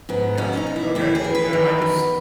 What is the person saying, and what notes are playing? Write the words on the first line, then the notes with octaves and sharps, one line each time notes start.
gotcha. Okay, yeah. I just
G#2 B3
B2 C#4
D#4
E2
E4
D#2 E4
G#4
E3
B4
D#3
E2